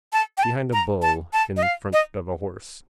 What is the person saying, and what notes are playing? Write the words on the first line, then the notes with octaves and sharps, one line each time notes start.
Behind a bull: in front of a horse.
A5
G5
A5
A#5
A5
A5
D#5
F5
D#5